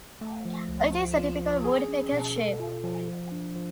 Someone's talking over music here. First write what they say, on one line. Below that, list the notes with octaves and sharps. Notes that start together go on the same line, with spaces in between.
It is a typical woodpecker shape.
A3
F3
C#2
F3
F4
F3
G#4
C#4
B2
A4
F4
F3
F3
D4
F3